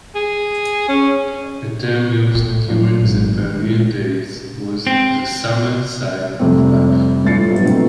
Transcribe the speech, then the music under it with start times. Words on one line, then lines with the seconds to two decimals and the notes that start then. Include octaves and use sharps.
A term used during the pioneer days was the summer side of life.
0.15 G#4
0.88 C#4
2.35 A2
2.68 F3 F#3 D4
3.00 G#1
4.87 C4
6.39 F2 C3 G3 A3 C4
7.24 G1 A2 F4 A6 C7 C#7
7.50 G2 B2 F3 F#3
7.65 B2 D#3 F3 A3 C4